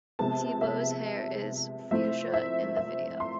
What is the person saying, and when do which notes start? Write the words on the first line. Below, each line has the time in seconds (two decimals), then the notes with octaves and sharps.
T-Boz's hair is fuchsia in the video.
0.19 C3 F3 G#3 B3 A5
0.61 E5
1.91 F3 A3 C4 E4 E5
2.34 E5
2.77 E5
3.20 C6